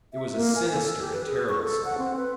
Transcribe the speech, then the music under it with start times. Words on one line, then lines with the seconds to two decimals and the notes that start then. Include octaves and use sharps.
It was a sinister and terrible sight.
0.13 E5
0.35 A#3
0.56 G#5
0.71 A4
1.00 G4
1.13 B4
1.27 G#4
1.49 C#6
1.62 A4
1.85 F#5
1.98 C4
2.16 B4